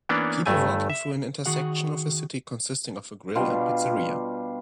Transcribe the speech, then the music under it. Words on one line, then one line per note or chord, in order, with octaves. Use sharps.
People walking through an intersection of a city consisting of a grill and pizzeria.
E3 A#3 B3 C#4 D4
G1 G2 A3 G#5
E5
D#3 F#4 G#4 F#5
B2 G3 D4 F4